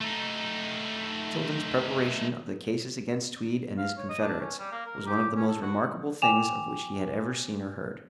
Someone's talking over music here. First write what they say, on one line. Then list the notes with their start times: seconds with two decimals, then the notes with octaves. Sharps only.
Tilden's preparation of the cases against Tweed and his confederates was one of the most remarkable things of which he had ever seen or heard.
0.01 A3 D#4
3.78 F5
3.97 C#5
4.09 D#5
4.21 D4
4.40 C#4
4.59 G3
4.72 A#3
4.86 A#4
5.07 G4
5.36 C#4
5.48 A4
5.62 F#4
6.22 G5 G#5 D6 E7 F7